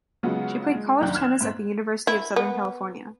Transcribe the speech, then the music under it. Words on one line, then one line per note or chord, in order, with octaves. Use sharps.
She played college tennis at the University of Southern California.
C#3 F#3 G#3 B3 F4 F#4
G#3
C2 F#2 D#3 D4 G5 F#6
F6 G#6 E7
G#2 C4
E4
B3